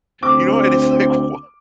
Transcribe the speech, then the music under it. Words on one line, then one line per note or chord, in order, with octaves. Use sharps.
You know, and it's like, wha
D2 C4 D6